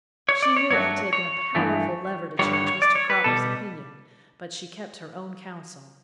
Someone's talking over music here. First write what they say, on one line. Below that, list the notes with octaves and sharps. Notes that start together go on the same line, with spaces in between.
She knew it had taken a powerful lever to change Mr. Cropper's opinion, but she kept her own counsel.
C#5
D5
C#5
G2 F#3 A3 C#5
C#5
G2 E3 A3
G2 D3 G3 C#5
C#5
C#5
D5
C#5
B4
B2 G3 A4